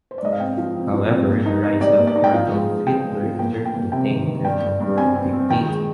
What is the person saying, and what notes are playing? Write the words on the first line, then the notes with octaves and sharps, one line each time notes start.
However the rise of Adolf Hitler in Germany tainted the word 'dictator'.
C5
D5
G#2 D#5
F5
C4 G5
F3 F5
C4
F3
C4
A#3
D#4
D#4
G3 D5
A#3
D5
D#4
G5
F3 F5
G#3
G#3
C4 G5
G#3
F3
A#3 G5
A#3
G5
A#3
C3 G5
D#3
D#3
G2 G5
G2
G2
C4 G#5
C4
C4
D#3 G5
G#3